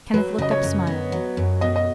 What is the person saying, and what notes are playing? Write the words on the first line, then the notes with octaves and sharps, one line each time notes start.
Kenneth looked up smiling.
F#3 B4
C#3 D#5
C#5
F#2
B3
F#3
F#2
B2 D#5
D#5